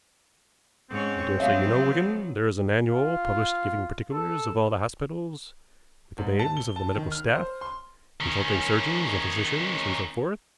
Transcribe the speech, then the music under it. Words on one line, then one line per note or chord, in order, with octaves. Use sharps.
I daresay you know, Wigan, there is an annual published giving particulars of all the hospitals, with the names of the medical staff, consulting surgeons and physicians, and so forth.
G#2 C4 C#4 C#5
F3 F#3 B3 C#5 E5 F5
F4
A4
G#2
A5
G7
A5
D#3
F6
C5
C6
D#3 C#4